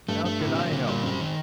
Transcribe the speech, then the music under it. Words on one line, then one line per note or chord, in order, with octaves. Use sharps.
How could I help it?
G2 A3
G2 A3
A2 D3
C3
A#2 F#3
A#2 D3
A#2 G3
F#2 C4
D#3